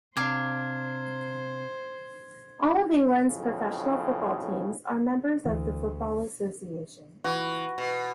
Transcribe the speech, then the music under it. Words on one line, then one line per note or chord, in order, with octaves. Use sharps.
All of England's professional football teams are members of the Football Association.
C3 D4 C5 F5 D6 G#6
B1 F2 A2 C#3
D2 E3
E3 F#4
B2